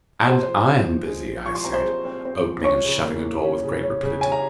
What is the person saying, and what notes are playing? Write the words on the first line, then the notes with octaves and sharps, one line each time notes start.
"And I'm busy," I said, opening and shutting a drawer with great rapidity.
A#5
G#3 C5 C6
F3
C4
F3
G#3
G#3
F3 C#6
C6
C4 A#5
C5 C6
G#3
C4
C4
F3
C#4 C#5 C#6
C#3
A#3
E3
C#4
C#3
C#4
C#3
C#4 G#5
A#5